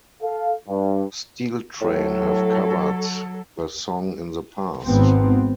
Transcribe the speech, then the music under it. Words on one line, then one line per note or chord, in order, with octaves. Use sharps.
Steel Train have covered the song in the past.
A4 F5
G2
A2 F#3 A4
G#1 B3 C4